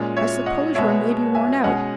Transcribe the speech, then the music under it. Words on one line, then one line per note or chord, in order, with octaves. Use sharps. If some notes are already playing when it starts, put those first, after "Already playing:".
I suppose you are maybe worn out.
Already playing: A#2 G#3 C#4
C#5 E5
D#5 F#5
B2 G#3 B3 C#5 E5
E5 G#5
B2 G#3 C#4 D#5 F#5